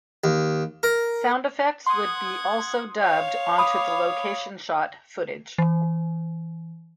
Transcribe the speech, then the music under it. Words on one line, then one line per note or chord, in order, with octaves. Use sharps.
Sound effects would be also dubbed onto the location-shot footage.
D#2
A#4
F#5 C6 D#6 G#6
C#5 F5
B5 D6 D#6
E3